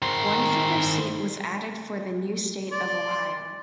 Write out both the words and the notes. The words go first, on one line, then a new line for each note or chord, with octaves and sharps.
One further seat was added for the new state of Ohio.
D#3 C5
D5 C6